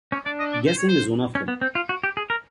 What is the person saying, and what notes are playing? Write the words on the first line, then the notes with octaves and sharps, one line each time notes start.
Guessing is one of them.
C#4
D4 D5
D#5
D5
C5
C#5
C5
C#4
B3
C4
F4
F#4
G4
G#4
A#4